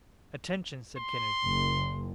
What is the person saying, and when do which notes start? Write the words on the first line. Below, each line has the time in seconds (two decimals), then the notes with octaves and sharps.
"Attention!" said Kennedy.
0.97 C6
1.43 F#1